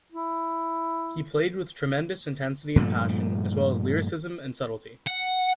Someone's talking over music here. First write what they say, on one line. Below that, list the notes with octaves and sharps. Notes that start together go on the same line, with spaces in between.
He played with tremendous intensity and passion, as well as lyricism and subtlety.
E4
G2 A#2 F3 A3
F#5